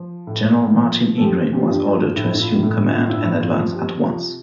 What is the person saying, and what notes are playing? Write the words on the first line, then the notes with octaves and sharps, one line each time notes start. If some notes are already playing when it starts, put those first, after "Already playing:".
General Martin E. Green was ordered to assume command and advance at once.
Already playing: F3
A2
F3
A4
F3 G4
G4
F4
G2 G4
F4
A2 E4
E4
F4
A2
F4
F4
G2 E4
F4
F3
G4
C3 F4